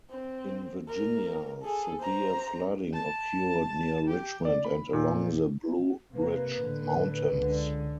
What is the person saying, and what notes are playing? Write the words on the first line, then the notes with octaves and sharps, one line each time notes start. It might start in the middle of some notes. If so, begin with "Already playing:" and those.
In Virginia, severe flooding occurred near Richmond and along the Blue Ridge Mountains.
C4
A#4
G#4 A4
C5 A#5
A5
G4
D5
B5
A#2
C3 A#3 B4
A2 D3
C#2 D3